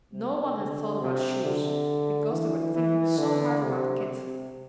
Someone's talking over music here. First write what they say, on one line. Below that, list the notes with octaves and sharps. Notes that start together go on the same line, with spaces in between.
No one had thought about shoes, because they were thinking so hard about Kit.
C3
D3
C3
D3
E3
E3
D3
C3
C3